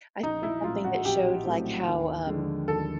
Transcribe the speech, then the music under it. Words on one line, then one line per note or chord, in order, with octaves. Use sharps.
I think something that showed, like, how, um,
A#1 D#4
E4
A2 F#3 A3 C4 F4
F#4
A#1 G4
A2 F#3 A3 C4
D#2
D3 F3 G#3
D#2 A4